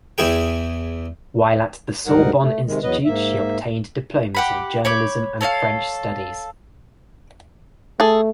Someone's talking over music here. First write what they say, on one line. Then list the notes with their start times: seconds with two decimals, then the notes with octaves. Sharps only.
While at the Sorbonne institute she obtained diplomas in journalism and French studies.
0.18 E2 E4 G#4 G5
2.07 D2 G#2 G3 D#4 A#4 F#5
2.40 A3
2.66 C3 D#3 G#3
2.83 E2 F#3 B3 B4 D#5
3.05 G#2 A#3 E5
4.35 G4 F#5 B5
4.85 C#5 B5 D6 G6
5.41 A4 C#5 D#5 F5
8.00 A3 G#4 A4